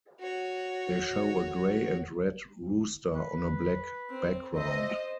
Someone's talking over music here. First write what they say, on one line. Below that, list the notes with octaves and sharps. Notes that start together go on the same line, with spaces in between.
They show a gray and red rooster on a black background.
F#4 C#5
B4
C4
C5 D#5 E5